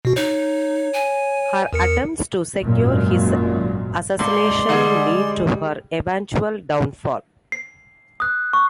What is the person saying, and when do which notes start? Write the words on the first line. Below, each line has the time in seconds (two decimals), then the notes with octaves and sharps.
Her attempts to secure his assassination lead to her eventual downfall.
0.05 B2 F#4
0.16 D#4 C#5
0.93 G#5
1.73 E2 A#4 C#7
2.62 G#1 F#2 A#2
4.19 A2 G#3 D5 C6
4.69 D3 G3 G#4
7.52 C7
8.20 D#6 F#6
8.53 C#6